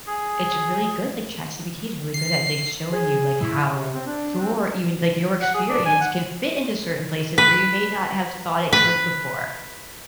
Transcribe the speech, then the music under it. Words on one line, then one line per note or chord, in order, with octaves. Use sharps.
it's really good like, ChatGPT is really good at, like, showing you, like, how your, even like, your experience can fit into certain places where you may not have thought it could before.
G#4
C7
G#4
E4
C3
C4
D4
C4
F#5
G#4
D4
G#5
F#5
B4
B4